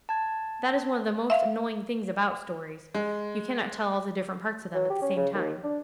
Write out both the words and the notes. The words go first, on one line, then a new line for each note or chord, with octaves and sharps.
That is one of the most annoying things about stories, you cannot tell all the different parts of them at the same time.
A5 G#6
E5 F5
G#3
F#3
G4
C#4
C#3
D#2
D4